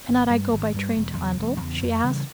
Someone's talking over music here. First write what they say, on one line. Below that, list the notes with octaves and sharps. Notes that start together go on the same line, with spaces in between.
"Cannot I go by train to Oundle?" she asked.
G#1
G2 G3
G#1
G2 G3
E1
E2 C#3
E1
E2 C#3
F2
C#3 E3 G3